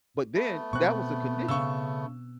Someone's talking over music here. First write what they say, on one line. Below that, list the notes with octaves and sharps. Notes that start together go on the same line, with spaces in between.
but then that was the condition.
A3 B3
B2 C4 C#6 F#6
C#3 C#6 E6